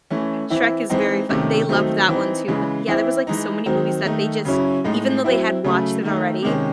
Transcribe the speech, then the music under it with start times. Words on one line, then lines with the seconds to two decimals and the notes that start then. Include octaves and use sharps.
Shrek is very fun they loved that one too, but, yeah, there was, like, so many movies that they just even though they had watched it already,
0.10 E3 A3 C#4
0.50 E3 C4 E4
0.89 E3 G#3 C4 D#4
1.29 C3 D#3 A3 C#4
1.69 D#3 F#3 A3 C4 D#4
2.08 E3 C4 D#4
2.48 C#3 E3 G#3
2.88 E3 C4 E4
3.27 E3 G#3 D#4
3.66 D#3 F#3 C4 D#4
4.05 D#3 A3 D#4
4.45 C#3 F#3 C#4 E4
4.84 A2 G#3 D#4
5.24 F#3 C4 E4
5.64 C#3 F#3 A3
6.03 D#3 A3 D#4
6.42 C3 D#3 G#3 C#4